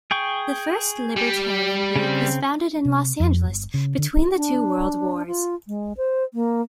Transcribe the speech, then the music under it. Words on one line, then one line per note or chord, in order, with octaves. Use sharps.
The first Libertarian League was founded in Los Angeles between the two World Wars.
G#4 G5 C#6
G3
C#3 C4
C3
F2
G1
C#3
D3
D4
F4
G#3
C5
A#3